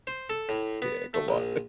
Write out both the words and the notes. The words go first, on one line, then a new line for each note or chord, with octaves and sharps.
Yeah, come on.
C5
A4
A2
B3
A3
A#1